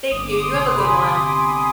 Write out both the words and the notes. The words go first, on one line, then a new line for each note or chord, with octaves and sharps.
Thank you. You have a good one.
G1 D#6
D6
D#6
C6
C3
C6
B5
G#5
B5
G1 G#5
C3